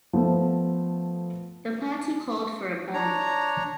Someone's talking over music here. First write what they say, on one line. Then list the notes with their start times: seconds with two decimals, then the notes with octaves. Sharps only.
The party called for a ban.
0.13 F3 A3 B3
2.94 D4 C#5 A#5